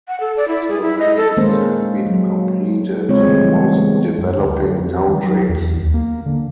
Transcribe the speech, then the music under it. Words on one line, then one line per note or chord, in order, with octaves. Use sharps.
Surveys have been completed in most developing countries.
F#5
A4
D5
E4
G#4
E4
D#5
A4
D#3 G#3 A#3 C#4 A#4 C5
F#3
C#3 G#3 C4 F4 C#5
E3 G3 A3
G#3 B3
F#2
D2
A3
F2
D#3
F#3
E2
D#2
A#3
D3